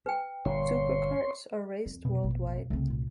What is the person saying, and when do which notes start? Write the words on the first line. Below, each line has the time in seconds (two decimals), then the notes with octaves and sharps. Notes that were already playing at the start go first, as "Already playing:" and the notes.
Superkarts are raced worldwide.
0.06 B4 G5
0.45 G1 A#2 C#5 C6
1.86 F2
2.05 F1 B2 B3
2.23 A1 A#3
2.70 C2 C#3 A3 C4
2.90 A#2